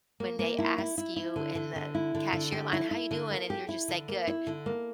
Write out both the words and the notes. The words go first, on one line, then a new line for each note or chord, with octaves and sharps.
when they ask you in the cashier line, "How you doing?" And your just say, "Good.”
A#3
A#3
E4
E4
E4
E4
D3
D3
D3
E4
D3
D3
G4
E4
E4
D3
A#3
G4
E4
D3
A#3
E4
D3
A#3